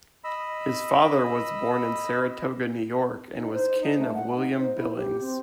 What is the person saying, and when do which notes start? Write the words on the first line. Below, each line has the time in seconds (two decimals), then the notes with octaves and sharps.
His father was born in Saratoga, New York and was kin of William Billings.
0.24 D#5 B5 E6
3.35 D#4
3.53 C5
3.81 D#4
3.98 A3
4.14 F#5
4.36 D#4
4.59 C5
4.75 E4
4.94 G4
5.21 C4